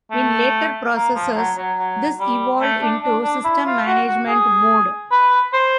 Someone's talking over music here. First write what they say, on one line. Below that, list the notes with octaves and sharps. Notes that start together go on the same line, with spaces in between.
In later processors, this evolved into System Management Mode.
A3
A#3
F3
F#3
F#3
F#3
G3
A3
D4
D4
D4
E4
F4
F#4
F#4
G#4
B4
C5